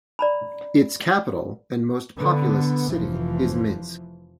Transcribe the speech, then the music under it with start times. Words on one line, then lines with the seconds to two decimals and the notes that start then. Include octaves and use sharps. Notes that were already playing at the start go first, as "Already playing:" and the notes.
Its capital and most populous city is Minsk.
0.19 D5 A#5 B5
2.17 D3 B3
2.90 F1 E3 F3